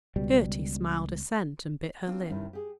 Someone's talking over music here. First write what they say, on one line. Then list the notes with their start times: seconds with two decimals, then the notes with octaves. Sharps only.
Gerty smiled assent and bit her lip.
0.16 C#2 B2 G3
2.06 B3 C4 D4 F4
2.29 G2 C3 D#3 C#4 E4
2.53 G4 G#4